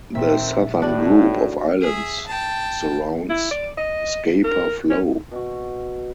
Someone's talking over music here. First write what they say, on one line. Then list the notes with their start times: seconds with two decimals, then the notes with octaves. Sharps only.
The southern group of islands surrounds Scapa Flow.
0.15 A#1 D#3 C4 E5
0.82 A2 D4 F#4
1.81 G#4 E5
2.27 G5 A5
3.29 E4
3.51 D5
3.78 D#5
4.44 A#4
4.90 C#4
5.32 B2 F#4